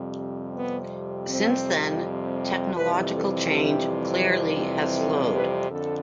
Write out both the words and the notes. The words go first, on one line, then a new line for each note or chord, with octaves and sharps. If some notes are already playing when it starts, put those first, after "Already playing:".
Since then, technological change clearly has slowed.
Already playing: F2 C3 G3
B3
C4
F2 C3 E3 G3 B4
A4
G4
A4
B4
F2 D3 A4